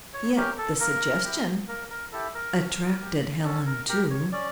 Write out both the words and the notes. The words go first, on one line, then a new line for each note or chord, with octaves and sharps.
Yet the suggestion attracted Helen, too.
C#5
C#4 G4 A#4
A4
A#3 A#4
E4 G4
A#3 A#4
A#4
E4 G4 A4
A#4
C#4
G4
C#4 A4
A#4
G4 A#4
C#5
C#4 D5